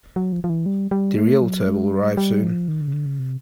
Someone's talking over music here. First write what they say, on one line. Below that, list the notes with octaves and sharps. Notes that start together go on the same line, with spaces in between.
The Realtor will arrive soon.
F#3
F3
F3
E3
G3
G3
A3
F#3
G#3
G3
G3
F3
D#3
D3
C#3
D3
C#3
C3